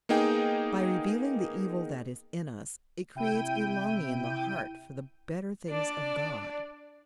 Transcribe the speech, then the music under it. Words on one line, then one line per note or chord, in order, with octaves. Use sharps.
By revealing the evil that is in us it creates a longing in the heart for the better things of God.
A#3 B3 D#4 G#4 G5
C3 E4 G5 G6 D#7
D4 D5